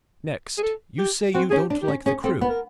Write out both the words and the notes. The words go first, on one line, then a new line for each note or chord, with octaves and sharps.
Next, you say you don't like the crew.
G#4
A4
G4
C4 F#4
C#4 G#4
G4
D4
G4
C#4
C#4 G#4
C4 A4
B3
A#4